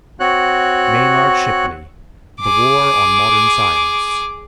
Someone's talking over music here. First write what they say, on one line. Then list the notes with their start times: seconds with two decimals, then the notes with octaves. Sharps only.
MAYNARD SHIPLEY, "The War on Modern Science."
0.20 C4 F#4 C#5 F#6
2.40 G#4 D6